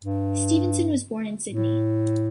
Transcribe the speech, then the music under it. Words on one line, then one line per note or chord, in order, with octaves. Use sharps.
Stephenson was born in Sydney.
G2
A2